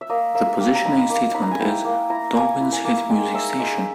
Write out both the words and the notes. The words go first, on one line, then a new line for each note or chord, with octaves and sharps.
The positioning statement is "Darwin's Hit Music Station".
E5
A#3 D#5
A#3 E5
A#3 G5
A#5
D#4 B5
A#3
D#4 B5
A#5
G#5
E4 G5
A#3
E4 A#5
A#3 G#5
E4
G#5
A#3
G#3 G5
D#4 E5
G#3 E5